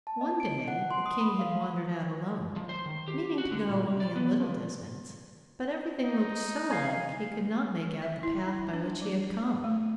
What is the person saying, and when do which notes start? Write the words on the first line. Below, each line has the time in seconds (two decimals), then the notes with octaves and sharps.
One day the king had wandered out alone, meaning to go only a little distance, but everything looked so alike he could not make out the path by which he had come.
0.07 A5
0.21 D#5
0.40 D7
0.68 F#5
0.91 C6
1.06 D#6
1.21 B5
1.39 F5
2.56 F3
2.69 C5
2.86 D#3
3.08 G4
3.38 F#4
3.52 D3
3.70 A#2
3.86 C3
4.00 D5
4.16 B3
4.40 F3
6.04 D#4
6.70 F5 G#5
8.02 E5
8.23 E4
8.47 D#4
8.73 D4
9.02 G3
9.64 A3